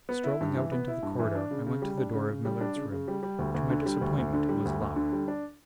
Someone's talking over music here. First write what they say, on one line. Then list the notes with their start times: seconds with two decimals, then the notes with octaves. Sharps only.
Strolling out into the corridor, I went to the door of Millard's room. To my disappointment, it was locked.
0.09 B3
0.24 E4
0.41 G2
0.55 E3
0.72 B3
0.88 E4
1.03 G2
1.19 E3
1.35 D4
1.51 C#3
1.67 C#3
1.82 G3
1.98 D4
2.14 C#3
2.30 C#3
2.45 G3
2.61 D4
2.76 C#3
2.92 C#3
3.08 G3
3.23 G3
3.39 D2
3.54 D2
3.70 D3
3.86 G3
4.01 D2
4.18 D2
4.33 D3
4.49 G3
4.65 D2
4.81 D2
4.96 D3
5.12 G3
5.28 D4